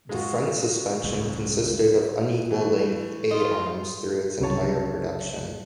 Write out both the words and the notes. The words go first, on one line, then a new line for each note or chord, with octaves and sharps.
The front suspension consisted of unequal length A-arms through its entire production.
G#3 F4 F#4
C#2 G2
E3 A3
F4 D#5
C2 C#3 F#3 C#5 A5